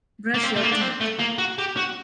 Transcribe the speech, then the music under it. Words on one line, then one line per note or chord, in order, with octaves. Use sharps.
Brush your teeth.
A#3
C4
A3
A#3
D4
C4
A3
A#3
F#4
G4
F#4